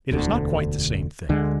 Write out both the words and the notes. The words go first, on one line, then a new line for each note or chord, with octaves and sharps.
It is not quite the same thing.
E1 D2 D3
D2 D3 G#3